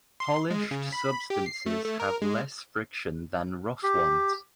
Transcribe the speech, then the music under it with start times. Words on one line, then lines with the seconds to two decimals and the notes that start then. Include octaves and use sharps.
Polished substances have less friction than rough ones.
0.20 C6
0.51 G#3
0.71 C#3
0.93 B5
1.30 G4
1.46 C7
1.66 A3
1.85 A3
2.00 A#4
2.22 G#3
3.83 G4